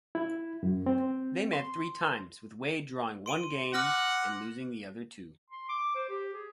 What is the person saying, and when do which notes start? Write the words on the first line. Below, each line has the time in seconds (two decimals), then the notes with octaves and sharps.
They met three times, with Wade drawing one game and losing the other two.
0.15 E4
0.63 F#2
0.86 C4
1.53 C6
3.26 C6 D7 D#7
3.74 F#5 D6 F6 A#6
5.50 C6
5.69 D6
5.95 C5
6.09 G4
6.33 G#4